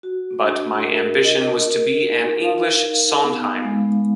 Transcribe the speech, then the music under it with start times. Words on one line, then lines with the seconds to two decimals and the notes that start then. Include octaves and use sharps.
But my ambition was to be an English Sondheim.
0.03 F#4
0.44 D4
0.84 A#4
1.24 D#5
1.64 A#4
2.04 D#4
2.44 F5
2.84 D#4
3.24 B3
3.64 G#3